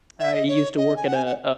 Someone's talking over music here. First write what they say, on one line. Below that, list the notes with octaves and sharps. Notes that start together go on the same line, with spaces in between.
I used to work at a
E5
D#5
C#5
D#5
G#5
F#5
G#5
F#5